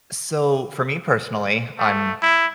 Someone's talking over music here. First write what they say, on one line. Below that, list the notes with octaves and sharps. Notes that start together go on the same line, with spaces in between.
so, for me personally, I'm
A3
E4